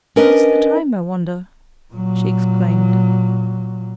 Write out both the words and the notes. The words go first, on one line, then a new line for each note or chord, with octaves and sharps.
"What's the time, I wonder?" she exclaimed.
C#4 D4 A#4 B4 D#5
A#2 F#3